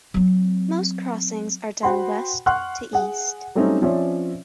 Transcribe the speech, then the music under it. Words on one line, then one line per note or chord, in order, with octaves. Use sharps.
Most crossings are done west to east.
F#3 C4
F#4 C5 F#5 G5 B5 C6
F#5 C6 C#6 F6 F#6
G#4 F#5
F#3 G3 A3 C4 C#4 D#4
F3 C4 C#4 C#5 D5 E5